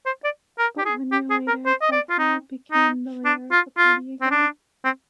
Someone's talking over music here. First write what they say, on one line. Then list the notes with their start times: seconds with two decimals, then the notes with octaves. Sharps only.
But one year later, Baykal became the leader of the party again.
0.06 C5
0.24 D5
0.58 A#4
0.78 G4
0.85 G#4
1.12 G4
1.30 G#4
1.47 A#4
1.66 C5
1.82 D#5
1.92 D5
2.09 F4
2.18 D#4
2.72 D#4
3.25 D4
3.51 F4
3.77 F4
4.21 C4
4.31 D4
4.84 C4